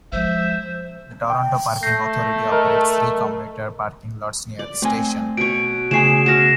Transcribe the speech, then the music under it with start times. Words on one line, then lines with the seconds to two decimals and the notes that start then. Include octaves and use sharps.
The Toronto Parking Authority operates three commuter parking lots near the station.
0.12 F3 G#3 C5 E5
1.30 G5
1.83 A3 G6 A#6 C7
2.49 A#4 D#5
4.59 D5
4.82 A3 C4 G#5
5.37 B2 C#5 D7
5.91 C#3 A3 G#4 C#5 G#5 C7 E7
6.26 F#4 C#5 F5 A#6 E7